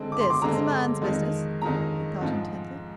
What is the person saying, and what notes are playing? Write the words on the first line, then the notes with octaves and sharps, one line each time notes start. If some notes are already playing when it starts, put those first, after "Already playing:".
"This is a man's business." He thought intently.
Already playing: D3 G#3 C4
D6
C6
D6
D3 G#3 C4 A#5
F2 D#3 G#3
F2 D#3 G#3 A#5
G#2 F3 G#3 C4